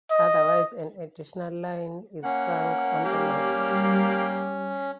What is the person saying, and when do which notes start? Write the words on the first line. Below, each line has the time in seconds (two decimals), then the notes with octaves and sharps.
Otherwise an additional line is strung on the masts.
0.11 D#5
2.24 A#3 C#4 F#5
3.04 G3 A#3 G4